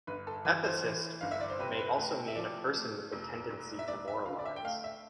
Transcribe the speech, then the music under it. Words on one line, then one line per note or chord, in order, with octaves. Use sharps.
"Ethicist" may also mean a person with a tendency to moralize.
G1 B4
A4
E3 B4
C5
E3
G1 F5
E5
D5
C5
C3 B4
C5
B4
A3 B4
E5
F3 D5
A3
F1
F1
E5
F1 D5
E5
D3 F5
D5
E5
G5
A3 F5
E5